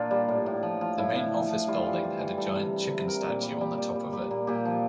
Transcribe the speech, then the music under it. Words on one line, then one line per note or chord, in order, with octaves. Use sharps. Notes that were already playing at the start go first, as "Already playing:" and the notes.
The main office building had a giant chicken statue on the top of it.
Already playing: A#2 D4 F4
G3
A2
A2
F3
F3
A2 E4
A2
F3
F3
G3 F4
E4
E3 F4
G3
E3
G3 A4
C3
G3
C3
G3 A#4
A#2
G3
G3
G3
G3
G3
A#2
A#2 G4
F3